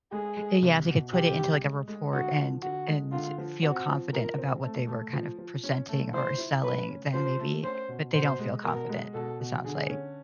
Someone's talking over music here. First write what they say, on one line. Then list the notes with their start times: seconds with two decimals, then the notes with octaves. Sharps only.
Yeah, if they could put it into, like, a report and and feel confident about what they were kind of presenting or or selling, then maybe but they don't feel confident, it sounds like.
0.12 G#3 G#4
0.37 G#3
0.62 C2
0.87 B2
1.13 C2 G4
1.38 C2
1.62 G#3
1.88 G#3
2.13 D3 F#4
2.38 F3
2.62 D3 F#4
2.88 G#3
3.12 D3 F4
3.38 F3
3.63 C4 F#4
3.88 F3
4.13 F3 A#4
4.38 C4
4.63 A3
4.88 A3
5.13 F3
5.38 F3
5.64 C#4
5.88 A3
6.13 E4 C5
6.38 E4
6.63 A3 B4
6.89 C#4
7.14 F3 C5
7.39 A3
7.64 C#4 C5
7.88 B2
8.14 B2 C5
8.39 G#3
8.64 B2 A#4
8.89 G#3
9.14 B2 A4
9.40 B2
9.64 D3 G#4
9.90 C#4